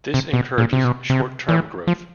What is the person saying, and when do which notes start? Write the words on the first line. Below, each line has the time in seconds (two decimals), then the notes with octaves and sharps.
This encourages short-term growth.
0.14 C3
0.33 B2
0.58 A#2
0.73 C3
0.84 B2
1.10 C3
1.49 E3
1.87 F3